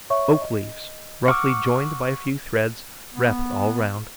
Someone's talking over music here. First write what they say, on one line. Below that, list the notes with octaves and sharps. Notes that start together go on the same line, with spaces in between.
Oak-leaves, roughly joined by a few threads, wrap it all round.
C#5 E5 C#6
D#5
F#5 C#6 D6 E6 F6
B3